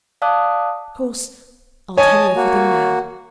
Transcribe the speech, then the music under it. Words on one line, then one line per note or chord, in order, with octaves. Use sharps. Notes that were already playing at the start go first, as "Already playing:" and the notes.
Of course I'll tell you everything now.
D5 F5 A5 D6 D#6 F#6
C#5 D#5 G#5 A5 D#6
A#3 F#4